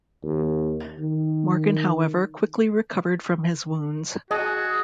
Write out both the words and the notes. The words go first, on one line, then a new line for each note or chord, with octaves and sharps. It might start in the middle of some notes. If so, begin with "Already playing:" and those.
Morgan, however, quickly recovered from his wounds.
D#2
D#3
F#4 G#4 D#5